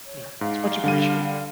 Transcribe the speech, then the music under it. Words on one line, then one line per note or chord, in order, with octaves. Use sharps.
Yeah, it's much appreciated.
C#5
G#2 F5
D3 G3 D#7